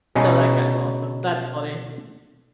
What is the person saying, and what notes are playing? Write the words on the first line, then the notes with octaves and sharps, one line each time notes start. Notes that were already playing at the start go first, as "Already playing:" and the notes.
Th that guy's awesome. That's funny.
B2 C#4 D#4 G#4